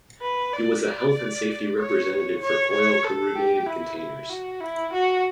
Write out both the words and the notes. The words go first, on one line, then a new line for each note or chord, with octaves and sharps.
He was a health and safety representative for Coyle Corrugated Containers.
B4
D5
D5
C#5
C#5
C#5
A4
G4
E4
E4
F#4
E4
F#4